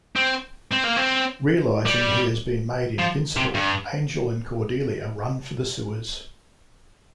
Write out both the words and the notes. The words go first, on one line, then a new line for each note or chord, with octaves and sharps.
Realising he has been made invincible, Angel and Cordelia run for the sewers.
C4
C4
A#3
C4
G3
F3
C3
G2